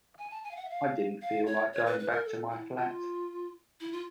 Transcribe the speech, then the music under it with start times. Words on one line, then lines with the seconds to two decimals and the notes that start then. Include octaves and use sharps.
I didn’t feel like going back to my flat.
0.19 G#5
0.31 A5
0.44 G#5
0.51 F5
0.56 F#5
0.65 E5
0.70 F5
1.22 F5
1.47 C#5
1.73 C#5
1.86 B4
1.99 B4
2.11 A#4
2.25 A4
2.51 E4
2.77 F4
3.80 E4
3.92 F4